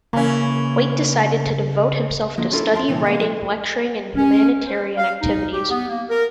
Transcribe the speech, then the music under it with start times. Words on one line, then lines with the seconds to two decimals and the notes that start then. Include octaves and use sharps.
Waite decided to devote himself to study, writing, lecturing and humanitarian activities.
0.13 C#3 E3 A#3 C#4
2.38 D3 F3 G#3 A#3
2.52 C#4 D4 E4 F4 A4 A#4
2.74 F2 A#4 A5 C6
2.88 C2 A#2 D3 E3
3.06 A#3 B3
3.19 F3 G#3
4.16 C#4
4.67 C5
4.97 F5
5.21 D#4
5.52 G4
5.71 B3
5.89 A#3
6.09 A#4